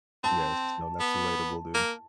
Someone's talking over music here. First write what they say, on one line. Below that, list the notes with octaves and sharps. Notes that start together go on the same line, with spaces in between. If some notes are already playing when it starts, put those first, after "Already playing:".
yes, no, that's relatable, dude.
C4 A5
B3
A#3